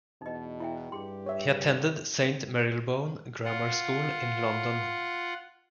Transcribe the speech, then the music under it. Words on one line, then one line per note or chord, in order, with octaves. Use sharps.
He attended Saint Marylebone Grammar School in London.
E2 B2 D#4 D#5
E4 E5 G5
G2 G4 G#4 C6
C#5 E5
F4 F#5